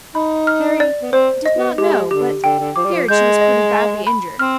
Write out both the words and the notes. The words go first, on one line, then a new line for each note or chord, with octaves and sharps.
Harry "did not know, but feared she was pretty badly injured."
D#4 B5
F6
D5
B3
C4 C5
D#5
B3
G#3 G4
D3 G4
D3 G5
D3
F3 D6
G3
F3
G#3 G6
D#5
G#5
B5
C4 F6